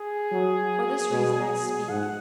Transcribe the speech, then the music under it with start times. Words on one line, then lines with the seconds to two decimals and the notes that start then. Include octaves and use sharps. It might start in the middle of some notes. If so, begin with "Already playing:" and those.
For this reason I speak.
Already playing: G#4
0.32 F#3
1.11 B2
1.89 G#2 F#5